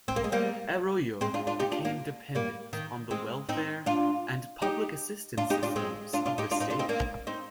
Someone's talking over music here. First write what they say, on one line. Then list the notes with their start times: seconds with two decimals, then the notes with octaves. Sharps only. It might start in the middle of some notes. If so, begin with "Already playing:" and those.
Arroyo became dependent on the welfare and public assistance systems of the state.
0.08 C4
0.16 A#3
0.24 G#3
0.32 G3 A#3
1.21 G#3 C4
1.34 D4 F4
1.47 D4 F4
1.59 D#4 G4
1.72 D4 F4
1.85 A#3 D4
2.35 G3 A#3
2.73 D#3
3.11 G#3 C4
3.49 C4 D#4
3.86 D4 F4
4.62 D#4 G4
5.38 D4 F4
5.50 D#4 G4
5.63 D4 F4
5.76 G#3 C4
6.13 D4 F4
6.26 D4 F4
6.38 D#4 G4
6.51 D4 F4
6.60 C4 D#4
6.70 D4 F4
6.79 C4 D#4
6.89 A#3 D4
7.27 C4 D#4